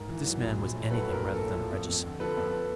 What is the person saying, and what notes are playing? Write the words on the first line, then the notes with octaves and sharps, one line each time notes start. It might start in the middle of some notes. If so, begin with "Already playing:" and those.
But this man was anything rather than a regicide.
Already playing: G#2 A#4
E3
F#3
A#1
A#1
A2
F#3 A4 B4
A#1
A#4
A#1
A2 A4
F3
F2
F2
D3
F3 A4 B4
F2